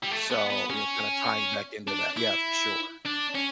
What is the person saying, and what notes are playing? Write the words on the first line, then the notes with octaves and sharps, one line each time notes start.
so, you know, kind of tying back into that yeah, for sure.
G3
A3
B3
B3
C#4
D4
E4
D4
C#4